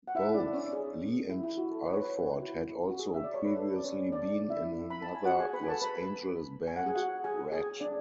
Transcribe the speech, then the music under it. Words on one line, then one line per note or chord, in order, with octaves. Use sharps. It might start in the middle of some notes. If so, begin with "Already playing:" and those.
Both Lee and Alford had also previously been in another Los Angeles band, Ratt.
F#5
E4 E5
D4 D5
C#4 C#5
G#4
E4
E4
F#4
A4
B4
C#5
B4
E4
F#4
F#4
G#4
E5
D5
C#5
B4
A4
D5
C#4 C#5
D4 D5
E4 E5
B5
A5
G#5
F#4 F#5
G#4 G#5
B4 B5
G#5
A4 A5
B4 B5
G#5
F#5
G#4 G#5
F#4 F#5
G#4 G#5
G#4 G#5
D4 D5